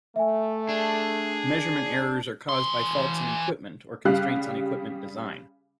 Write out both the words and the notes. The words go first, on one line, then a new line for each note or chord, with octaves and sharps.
Measurement errors are caused by faults in equipment or constraints on equipment design.
A3 E5 G#5
D4 G#4
E3 C6
C#3 G3 G4 F5 F#6